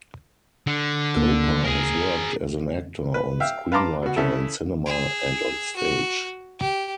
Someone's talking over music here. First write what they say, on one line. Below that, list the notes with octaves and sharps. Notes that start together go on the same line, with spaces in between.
Koper has worked as an actor and screenwriter in cinema and on stage.
D3
D2 A#3
G#4 A#4
B4
E5 F5 G5
B4 F5 A5 A#5 C6 D6
B2 F#4
C#3 E4 A4
G#4 E6
F#4
G4